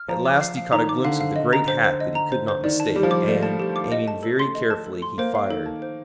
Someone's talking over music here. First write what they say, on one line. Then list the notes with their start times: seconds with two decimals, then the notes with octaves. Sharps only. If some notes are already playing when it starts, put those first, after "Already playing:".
At last he caught a glimpse of the great hat that he could not mistake, and, aiming very carefully, he fired.
Already playing: F6
0.08 F3 A#5
0.25 D6
0.41 F5
0.57 F5
0.73 D#3 A#5
0.89 D6
1.04 D3 F5
1.21 F5
1.36 D#5
1.53 A#5
1.68 C5
1.84 C5
2.00 D#5
2.15 A#5
2.32 C5
2.48 C5
2.64 D#3 D5
2.80 A5
2.95 G3 G4
3.03 F3
3.10 G3 D6
3.28 A3 D5
3.43 A5
3.60 G4
3.76 D6
3.92 D#5
4.08 A5
4.23 A4
4.39 C6
4.55 D#5
4.70 A5
4.86 A4
5.02 C6
5.18 A#3 C5
5.35 F5
5.50 D#3 A4
5.66 A5
5.82 C5